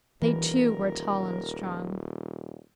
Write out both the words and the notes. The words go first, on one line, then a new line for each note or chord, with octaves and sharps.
They, too, were tall and strong.
D#1 E3 A#4